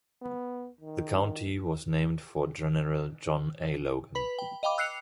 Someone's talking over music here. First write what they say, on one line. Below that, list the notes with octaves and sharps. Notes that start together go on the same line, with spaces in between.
The county was named for General John A. Logan.
B3
D#3
B4 B5
G5
D#5 F5 G5 B5 D6
E6 F#6 C7 C#7 F7